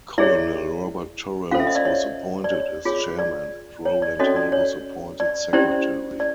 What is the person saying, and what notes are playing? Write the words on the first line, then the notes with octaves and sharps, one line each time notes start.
Colonel Robert Torrens was appointed as chairman and Rowland Hill was appointed secretary.
E4 G#4 C#5 D5 E5
C#4 F4 A4 C5 F5
E5
D#5
D5 E5
C#5 D#5
D5
C#5
F4 G#4 C#5
D5
C#5
D5
C#4 F#4 A4 C#5 D#5
D5
C#5
D5
C#4 E4 G4 C5 D5
D5